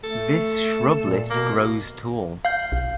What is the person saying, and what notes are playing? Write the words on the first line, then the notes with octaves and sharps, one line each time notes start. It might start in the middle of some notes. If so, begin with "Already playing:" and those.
This shrublet grows tall.
A3 A4
A#2
B2 A#3
F5 G6
B1